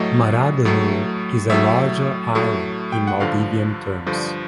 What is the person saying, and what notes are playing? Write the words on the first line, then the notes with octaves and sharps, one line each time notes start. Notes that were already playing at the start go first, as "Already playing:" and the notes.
Maradhoo is a larger island in Maldivian terms.
Already playing: A2 F#3 A3 D#5
A2 F#3 A3
A2 F#3 A3 E5
A2 F#3 A3
G5
F#5
G2 D3 F3 F5
G2 D3 F3